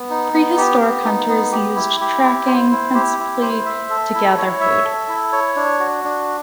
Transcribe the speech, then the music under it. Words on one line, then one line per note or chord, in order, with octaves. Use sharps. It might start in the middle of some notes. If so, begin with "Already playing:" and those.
Prehistoric hunters used tracking principally to gather food.
Already playing: B3
D#4
B3
G4
B3
D#4
B3
G4
E4
G4
E4
C5
E4
G4
E4
C5
E5
A4
E4
C#5
E5
A4
E4
C#5
D4
F#4
D4